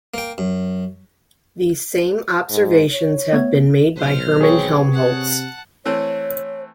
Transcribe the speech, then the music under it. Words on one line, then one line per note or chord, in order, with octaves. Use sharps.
These same observations have been made by Hermann Helmholtz.
A#3 G5
F#2
G#2
C#5
A3 B3 G#6
B1 C5 F6
C4 G#4 B4 C#5
C3 F#5 A5
E3 A3 C4 C#5